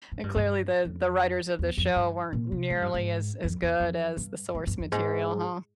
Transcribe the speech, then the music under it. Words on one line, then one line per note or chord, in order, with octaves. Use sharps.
and clearly, the the writers of the show weren't nearly as as good as the source material, huh?
G#2
G2
G2
F2
E2
F2
G2
A#2
C3
G#2
G2
G#2
F2
E2
F2
G2
G#2
G2
F2
G#2